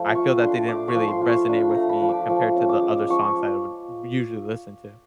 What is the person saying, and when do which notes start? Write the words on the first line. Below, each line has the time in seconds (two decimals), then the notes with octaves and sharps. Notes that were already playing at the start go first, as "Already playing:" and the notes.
I feel that they didn't really resonate with me compared to the other songs that I would usually listen to.
Already playing: F3 A3 G5
0.15 F4 C#6
0.42 D4 C6
0.68 A3 D6
0.88 C#6
0.95 F3
1.08 C6
1.22 F4
1.29 C#6
1.49 D4 B5
1.69 A#5
1.76 A3
1.89 B5
2.02 F3
2.09 D6
2.29 F3 C#6
2.56 C#4
2.69 D6
2.82 G#3
3.10 F3 C#6